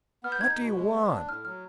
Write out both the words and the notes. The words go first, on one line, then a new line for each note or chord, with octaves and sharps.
"What do you want?"
B3 F6
G6
D#4 G#6
G6
B2
G#3
B3
D4
A2 F6
F#3 F6